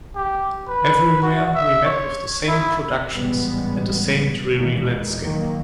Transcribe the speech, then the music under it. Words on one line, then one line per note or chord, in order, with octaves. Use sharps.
Everywhere we met with the same productions, and the same dreary landscape.
G4
B4
F#4
E5
C#5
E4
A1 G#2 G3 G#3 B3
D#2 A#2 E3 G#3 A#3
D#3 F#3 A#3